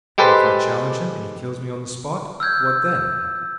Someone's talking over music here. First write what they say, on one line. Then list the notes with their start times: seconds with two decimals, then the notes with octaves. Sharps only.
And if I challenge him and he kills me on the spot, what then?
0.18 G#3 G4 A4 B4 C5
2.40 E6 F6 G6 G#6